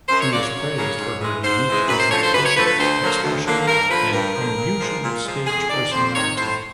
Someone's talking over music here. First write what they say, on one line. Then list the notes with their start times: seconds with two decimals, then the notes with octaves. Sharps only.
She is praised for her unique interpretations, expression, and unusual stage personality.
0.09 F#2 C5
0.20 C#5
0.31 C#3 F#3 A#3 D5
0.42 C#5
0.54 F#2
0.76 C#3 F#3 A#3
0.98 G#2
1.20 E3 G#3
1.43 G#2 C5
1.65 E3
1.71 G#3
1.88 F#2 B4
2.00 C5
2.10 D3 F3 A3 C#5
2.22 C5
2.33 F#2 B4
2.45 C#5
2.56 D3 F3 A3 B4
2.67 B4
2.78 D2 C5
3.01 D3 F#3 A#3
3.23 D2
3.45 D3 F#3 A#3
3.67 G2 A#4
3.89 D3 F3 B4
4.12 G2 A#4
4.35 D3 F3
4.58 A#2
4.79 F3 G#3
5.03 A#2
5.24 F3 G#3
5.47 F2 G#4
5.70 C3 D#3 D5
5.92 F2 C5
6.14 C3 D#3 C#5
6.36 A2 C5